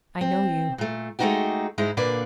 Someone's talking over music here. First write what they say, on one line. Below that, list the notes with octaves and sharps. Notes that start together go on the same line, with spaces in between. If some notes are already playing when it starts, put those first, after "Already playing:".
I know you.
C4
A#2 A3
G#3 A3 C#4 D#4 F#4 G4
G#2 G#3 D#4 E4
A#2 D3 A#3 B4 D5